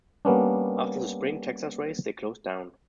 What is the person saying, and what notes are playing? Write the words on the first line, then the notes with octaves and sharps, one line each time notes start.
After the spring Texas race, they closed down.
G3 A#3 B3 C#4 D4